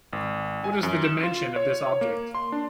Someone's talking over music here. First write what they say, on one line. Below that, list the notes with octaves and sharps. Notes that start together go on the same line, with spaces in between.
What is the dimension of this object?
G#1
G#5
F#2
E7
F4
C#5
A#3
C6
D4